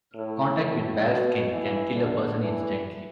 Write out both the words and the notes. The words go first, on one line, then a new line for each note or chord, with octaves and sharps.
Contact with bare skin can kill a person instantly.
A2
A2
B2
E3
D3
E3